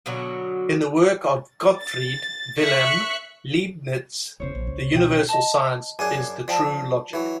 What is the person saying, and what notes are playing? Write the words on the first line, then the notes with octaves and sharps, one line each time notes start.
In the work of Gottfried Wilhelm Leibniz, the universal science is the true logic.
B2 D3 F#3 F#4
A6
E5 C#6 F#6 B6 C#7
E1 E2 C#3 C5 C#5
A#1
C#2
B2 G5
C#4
D#5 A5
F#2 D4 G#4 G#5
F3 D5 G5 A5
E3 F#3